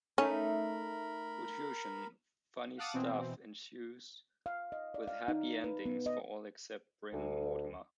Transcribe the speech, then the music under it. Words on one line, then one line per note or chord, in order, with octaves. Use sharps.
Wodehousian funny stuff ensues, with happy endings for all except Bream Mortimer.
A3 C#4 D#4 A#4 B5
F5 F#5 A5 D6 D#6
B2 E3 C4
F5
D#5
D5
F5
D#4
B4
B3
D#5
D2